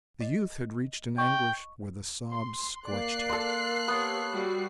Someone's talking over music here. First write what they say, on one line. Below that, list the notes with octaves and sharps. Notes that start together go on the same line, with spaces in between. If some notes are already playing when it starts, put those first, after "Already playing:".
The youth had reached an anguish where the sobs scorched him.
D#5
D#5 G5 C#6
C6
A#3 D5 F#6 C7
A4 C6
B3 G4 C#5
G3 F#4